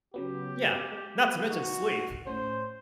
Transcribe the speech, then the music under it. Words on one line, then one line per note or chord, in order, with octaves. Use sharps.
Yeah, not to mention sleep.
C#3 F#3 B3 G4
G#3
D#4 F#4
A2 C#4 C5